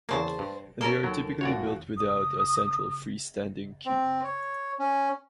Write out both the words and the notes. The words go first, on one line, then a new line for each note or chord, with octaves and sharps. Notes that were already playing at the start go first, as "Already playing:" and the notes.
They are typically built without a central free-standing keep.
E2 C#3 A#3 C5 A5
G2
A#3 C#4 A4 A#4
D#2 F#3
D#1 D#2 F#4 C#5 D5
D#6
C4
C#5
C#4